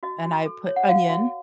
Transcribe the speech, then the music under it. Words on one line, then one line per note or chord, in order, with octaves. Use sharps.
and I put onion
F#4 D#5
F#4
A4
C#5
F#5
F#4 F5
F#4